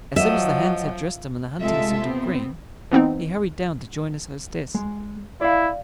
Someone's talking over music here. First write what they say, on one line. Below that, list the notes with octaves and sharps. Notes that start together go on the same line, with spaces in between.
As soon as the hands had dressed him in a hunting-suit of green, he hurried down to join his hostess.
F3 F#3 D#5 E5
C3 G#3 A3 F4 A4 E5
B3 C4
E3 B3 C4 D#4
G#3
E4 D5 F5